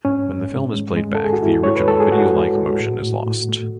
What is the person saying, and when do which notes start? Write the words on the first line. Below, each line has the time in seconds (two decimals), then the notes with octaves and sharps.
When the film is played back, the original video-like motion is lost.
0.05 G#2 C#4
0.28 G#2
0.51 G#2
0.74 G#3
0.97 G#3
1.15 A4
1.20 G#2 G#4
1.33 F#4
1.42 G#2 E4
1.63 G#3 C#5
1.76 B4
1.88 G#3 A4
2.00 G#4
2.12 G#3 F#4
2.34 G#3
2.58 G#3
2.80 A2
3.03 A2
3.26 A2
3.49 A3